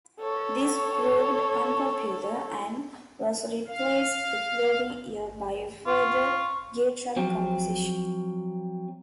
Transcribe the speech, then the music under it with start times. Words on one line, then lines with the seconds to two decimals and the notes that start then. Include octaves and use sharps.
This proved unpopular, and was replaced the following year by a further Giltrap composition.
0.19 A4 C#5
3.68 F5
5.87 F4 C#6
7.17 F3 F#3 C4